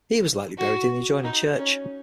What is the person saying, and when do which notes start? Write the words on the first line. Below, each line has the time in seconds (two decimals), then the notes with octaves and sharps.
He was likely buried in the adjoining church.
0.58 F#4
1.24 D#4
1.58 C#4